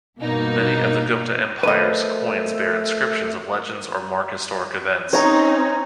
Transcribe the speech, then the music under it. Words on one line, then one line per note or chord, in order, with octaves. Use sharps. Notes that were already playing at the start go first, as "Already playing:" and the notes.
Many of the Gupta Empire's coins bear inscriptions of legends or mark historic events.
G2 B2 A#3 D#4
D#3 F3 A3 B3 B4 D#5
C4 C#4 D#4 C#5 A#5